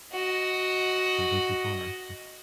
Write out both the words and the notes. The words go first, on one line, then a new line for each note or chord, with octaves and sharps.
not go too far. Yeah.
F#4 D#5